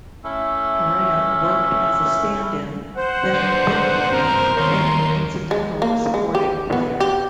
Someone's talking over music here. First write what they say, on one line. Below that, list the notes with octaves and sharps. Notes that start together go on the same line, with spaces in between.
Doran worked as a stand-in, then bit player, then incidental supporting player.
A3 C#4 E4 A4
C5 F#5
B3 D4
G2 C4 A#4
D#2 A#4 C#5 C6
G#3
A#3
G#3
G4
B3
G4